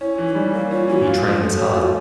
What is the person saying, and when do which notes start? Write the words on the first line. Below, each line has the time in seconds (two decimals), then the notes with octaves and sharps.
He trains hard.
0.01 C#4 E4
0.18 E3
0.27 E4
0.30 G3 D#4
0.53 A#3 E4
0.71 C#4 F4
0.88 E3 F#4
1.06 F4
1.23 F3
1.41 A3
1.58 C#4
1.75 F4